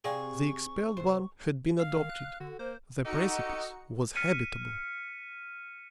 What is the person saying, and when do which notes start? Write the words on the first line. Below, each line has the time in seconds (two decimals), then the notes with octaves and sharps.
The expelled one had been adopted; the precipice was habitable.
0.04 C3 G#4 D5 F5 G5 C#6
0.97 C3 C5
1.80 F5
1.97 D#3
2.09 F#6
2.40 D3 F#4
2.59 A#3 C5
3.05 D#4 F#4 G4 A4 D#5 C#7
4.16 F6 B6 C#7 D#7